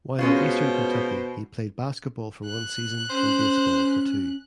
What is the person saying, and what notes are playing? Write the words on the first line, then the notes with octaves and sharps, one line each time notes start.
While at Eastern Kentucky he played basketball for one season and baseball for two.
B2 G#3 C#4 F4 C5
F#6
C#4 C5